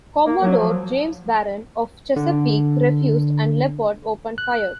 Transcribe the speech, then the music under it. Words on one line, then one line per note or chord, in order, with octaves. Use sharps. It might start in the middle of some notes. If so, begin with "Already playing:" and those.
Commodore James Barron of "Chesapeake" refused and "Leopard" opened fire.
A#3
F#3
F3
D3
F#6